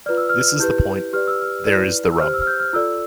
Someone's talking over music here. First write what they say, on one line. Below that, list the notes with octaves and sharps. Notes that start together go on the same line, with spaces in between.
This is the point. There's the rub.
F4 B4 D5 F6
E6
F6
E4 G4 B4 G6
G4 B4 D5 F6
E6
F6
E4 B4 D5
E6
G4 C5 F6
E6
F6
G6
F6
F4 A4 D5 E6